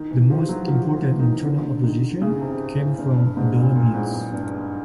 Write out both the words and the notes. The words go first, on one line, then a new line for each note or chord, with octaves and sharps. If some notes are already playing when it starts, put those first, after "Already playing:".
The most important internal opposition came from the Adullamites.
Already playing: D#3
E3
F3
F#3
F3
E3
D#3
D3
D#3
C#3
C3
A2
G2
G2
G#2
A#2
A#2
A2
G#2
F#2
G2